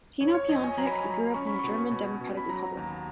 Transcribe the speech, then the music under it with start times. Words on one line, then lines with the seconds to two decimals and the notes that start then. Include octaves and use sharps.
Tino Piontek grew up in the German Democratic Republic.
0.21 F2 C#5
0.35 C#5
0.49 F2 D#5
0.64 G#5
0.77 F#3 A#5
0.86 B5
0.95 A#5
1.06 F#3
1.34 C#4 C#6
1.47 B5
1.59 B2 C#6
1.91 B2
2.21 B2
2.37 B5
2.49 F#3 A#5
2.77 D#2